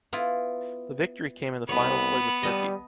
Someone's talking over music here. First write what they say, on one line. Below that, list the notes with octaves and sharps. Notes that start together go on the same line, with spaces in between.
The victory came in the finals played with Turkey.
B3 E4 F4
C2 B3 C#5
G3 D#5 A5